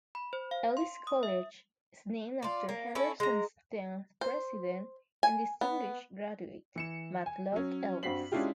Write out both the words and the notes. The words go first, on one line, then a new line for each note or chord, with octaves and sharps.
Ellis College is named after Henderson's tenth president and distinguished graduate, Matt Locke Ellis.
B5
C5
F5
C6
D#6
E5
F4 D5
A#3
C#4 E4 A4
G#3 A#5
C5
G#5
B3
E3 C#7 E7
G#5
F#3 C#4
G2 C4 F#4 B6 C7 F#7
G#3 C#4 D4 E4 F4 G4